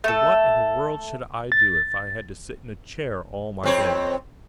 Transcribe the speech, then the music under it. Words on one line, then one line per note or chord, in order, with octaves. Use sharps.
But what in the world should I do if I had to sit in a chair all my days?
A3 A4
A6
F2 C4 C#5